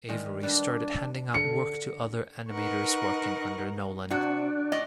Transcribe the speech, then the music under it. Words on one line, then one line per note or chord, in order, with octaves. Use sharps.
Avery started handing out work to other animators working under Nolan.
D#3 G3 G#3
G3 D4 B4
D3 C#7
D#4 A#4 B4 F#5 C#6
C3 D4 F#4
A2 D5 D#5